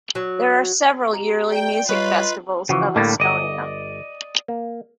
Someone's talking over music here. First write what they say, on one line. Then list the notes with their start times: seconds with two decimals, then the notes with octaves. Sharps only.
There are several yearly music festivals of Estonia.
0.15 F#3
1.13 G4 A#5
1.51 D5 G5
1.89 G3 F4 B4 C#5 D#5 C#6
2.69 C#3 E3 F3 F#4
2.96 A2 D3 G3 A#3 A5
3.20 G1 D5 D#5
4.48 A#3